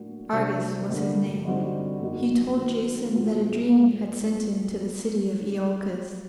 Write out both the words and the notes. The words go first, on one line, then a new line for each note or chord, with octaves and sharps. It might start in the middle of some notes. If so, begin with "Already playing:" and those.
Argus was his name. He told Jason that a dream had sent him to the city of Iolcus.
Already playing: A2 F#3 A#3 D4 F#4
C3 G3 D4 F#4
G2 D3 G3 A#3 D4
D3 G3 C4 D#4 F#4
F#2 F#3 A#3 D#4 F#4
D#3 F#3 A#3
A#2 F#3 C4 F#4